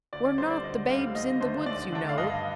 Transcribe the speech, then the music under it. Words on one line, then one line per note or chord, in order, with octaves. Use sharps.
We're not the 'Babes in the Woods,' you know.
D2 D5
D5
D3 G3 C4 C5
D5
D2 D#5
D3 G3 C4 F5
D#2 D#5
D3 A3 D4 C5
D#2 D5
D3 A3 D4
F5
G2 D#5